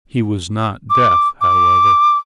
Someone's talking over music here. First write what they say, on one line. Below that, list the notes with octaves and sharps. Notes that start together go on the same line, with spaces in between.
He was not deaf however.
D6
D6